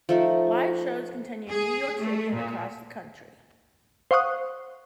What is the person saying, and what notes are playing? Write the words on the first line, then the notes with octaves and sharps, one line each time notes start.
Live shows continue in New York City and across the country.
F3 A3 D#4
G#4
A3
A#2
C5 F5 F#5 C#6 D#6 F#6